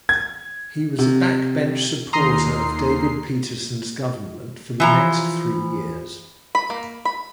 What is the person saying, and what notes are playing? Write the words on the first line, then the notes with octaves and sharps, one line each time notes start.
He was a backbench supporter of David Peterson's government for the next three years.
G#6
C3
D#2 A#5 C6 D#6 C7
E3 F3 A#5
B5
A#3
B5